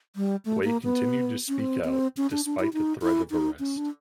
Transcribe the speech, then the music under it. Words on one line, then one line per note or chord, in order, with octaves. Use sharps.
Wei continued to speak out, despite the threat of arrest.
G3
A3
A#3
B3
C#4
C4
B3
C4
C#4
D4
D4
E4
D#4
E4
D#4
C#4
D4